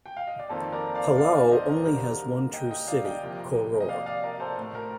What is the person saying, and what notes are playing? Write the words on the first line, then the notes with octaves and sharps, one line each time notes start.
Palau only has one true city, Koror.
G5
F5
D#5
D5
F2 D#3 A#3 A4 C5
A#4 D5
D5 F5
D5 F5
D5 F5
C5 D#5
A#4 D5
D#2 D3 G3 A#3 A#4
D#5 G5
D#5 G5
D5 F5
D#5 G5
C2 C3 F3 A#3
D#5
D5 F5
D5 F5
A#4 D5
A4 C5
A2 A3
A#4